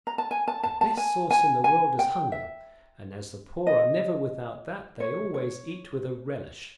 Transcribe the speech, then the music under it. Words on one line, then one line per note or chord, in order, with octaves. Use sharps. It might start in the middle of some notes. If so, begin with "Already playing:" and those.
The best sauce in the world is hunger, and as the poor are never without that, they always eat with a relish.
A#5
A5
G#5
A5
A5
A5
G#5
G#5
G#5
G5
E5
D#5
C#5
C#5